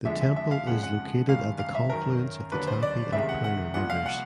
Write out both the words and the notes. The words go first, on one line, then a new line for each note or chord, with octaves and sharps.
The temple is located at the confluence of the Tapi and Purna rivers.
F2 D3 F3 G#3 E5
E5
E5
F5
F2 C#3 F3 G#3 F#5
F#5
G2 D#3 G#3 F5
F5
E5
F#2 D#3 F#3 A#4
D#2 D3 F#3 B4
C5
D5
C#2 C3 D#3 G#3 E5
F#5
F#5
C2 A#2 F3 F#5
F5
F#5